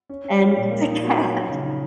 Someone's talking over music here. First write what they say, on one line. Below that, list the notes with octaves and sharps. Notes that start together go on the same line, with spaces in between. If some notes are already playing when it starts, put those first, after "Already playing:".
and the cat,
C#4
C#4
F3
A#2
A#3
D#4
F#3
D#4
F3
C#3
D#4